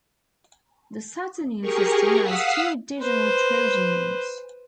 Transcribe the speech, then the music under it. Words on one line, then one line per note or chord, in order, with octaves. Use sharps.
The Saturnian system has two additional trojan moons.
G4 G#4 A#4 C#6
F5 F#5 D#6 E6 B6 C7
B4 C5